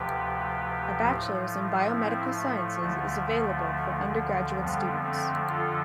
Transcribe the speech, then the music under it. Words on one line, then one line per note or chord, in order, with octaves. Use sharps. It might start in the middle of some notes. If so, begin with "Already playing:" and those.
A bachelors in biomedical sciences is available for undergraduate students.
Already playing: D2 C3 F3 G4 B4
A2 F3
C4 E4
A3
D2 D3 F3
F2 D3 F3 G3 B3
A3 C4
F4 A4